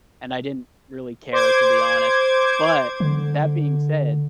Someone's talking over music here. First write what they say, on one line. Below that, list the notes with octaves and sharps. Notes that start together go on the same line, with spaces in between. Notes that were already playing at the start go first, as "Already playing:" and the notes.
And I didn't really care, to be honest. But, that being said,
C5 D6 G#6
D3